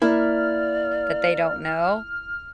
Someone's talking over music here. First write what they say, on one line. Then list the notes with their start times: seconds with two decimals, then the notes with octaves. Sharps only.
that they don't know,
0.02 A#3 E4 D5 F6